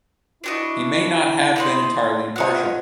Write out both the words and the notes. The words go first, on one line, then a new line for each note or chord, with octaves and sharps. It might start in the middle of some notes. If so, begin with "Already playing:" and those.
He may have not been entirely impartial.
D4 E4 F#4 D#5
D#4 B5 C6
F4 C#5 D#5 F#5